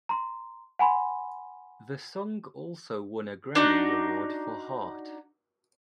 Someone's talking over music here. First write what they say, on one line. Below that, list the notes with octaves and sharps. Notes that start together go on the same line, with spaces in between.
The song also won a Grammy Award for Hart.
A#5 C6
F#5 G#5 B5 C6
D4 D#4 F#4